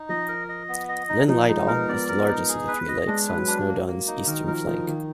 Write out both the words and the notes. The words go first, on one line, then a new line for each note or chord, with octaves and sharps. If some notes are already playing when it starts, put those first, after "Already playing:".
Llyn Llydaw is the largest of the three lakes on Snowdon's eastern flank.
Already playing: D#4
F3 D#5
A#4
D#5
B3
D#5
D#4
F3 D#4
G#3 D#4
B3 A#4
B3 D5
A#4
D#4
G#4
B4
D#5
G#3 D4
B4
F#3
D4
A#3
A#3
D#4
D#3 A#4
F3 A#4
F3 D#4
D#3 A#3